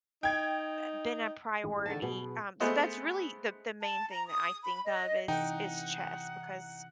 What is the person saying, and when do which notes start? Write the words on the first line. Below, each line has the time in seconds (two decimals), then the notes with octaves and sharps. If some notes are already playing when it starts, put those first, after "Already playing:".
eh, been a priority, um, so, that's really the the main thing that I think of is is chess, because
0.23 D#4 G5 G#6
1.64 A1 G#2
1.86 D3 D#3 A5
2.02 B2 F#3 B3 G#4
2.60 G#3 A3 B3 C5 D#5 F#5
3.81 A5
4.09 A#5
4.27 D#6
4.63 B5
4.85 D#5
5.28 C3 E3 D#4 F#5 G5